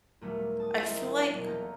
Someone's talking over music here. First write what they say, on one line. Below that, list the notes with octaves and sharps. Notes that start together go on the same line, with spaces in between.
I feel like
D#2 A#2 F#3 G3 A3 B3
A5 D#6
C#4 E4 G#4 A#4 C5 D#5
D#1
B2 F#3 G#3 B3 D#4
E2 A#3 A4 G5 A#5